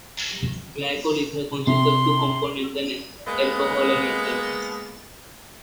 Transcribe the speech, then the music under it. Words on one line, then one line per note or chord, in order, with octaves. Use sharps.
Glycol ethers consist of two components, an alcohol and ether.
C3 C6
G#3 A#3 B3 D#5